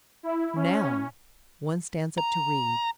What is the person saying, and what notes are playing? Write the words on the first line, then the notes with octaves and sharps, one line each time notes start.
Now One stands up to read.
E4
C#4
A#5